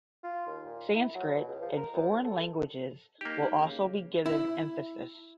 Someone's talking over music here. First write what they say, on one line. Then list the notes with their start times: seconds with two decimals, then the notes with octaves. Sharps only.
Sanskrit and foreign languages will also be given emphasis.
0.24 F4
0.47 D#2
0.65 A#2
0.93 E4
1.15 F#3
1.34 B2
1.47 C#2
1.61 F3
1.76 A#4
1.93 F#2
2.10 C2
2.25 A4
3.21 A#3 D#4 G4
3.60 C#3
4.26 E4